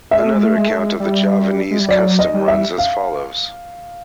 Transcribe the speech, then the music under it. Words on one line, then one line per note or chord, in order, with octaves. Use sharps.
Another account of the Javanese custom runs as follows.
G#3 E5
A3
G#3
A3
G#3
A3
G#3
G3
G#3
G3
F#3 D5
D#5
G3
E5
F5